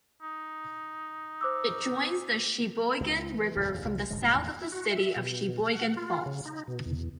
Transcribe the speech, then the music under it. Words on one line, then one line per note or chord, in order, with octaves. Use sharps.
It joins the Sheboygan River from the south in the city of Sheboygan Falls.
D#4
C5 D6 E6
C#2
E3
F1 D#2 A2
C2
D#1 G#2 D3 G#3
E2 A2 D#3
F#4
E5
B2
F#5
F4
C#3
D#4
B2
E2